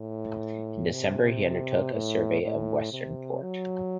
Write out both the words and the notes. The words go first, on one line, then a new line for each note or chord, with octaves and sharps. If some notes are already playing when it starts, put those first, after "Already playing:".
In December he undertook a survey of Western Port.
Already playing: A2
C3
A2
A2
C3
F#3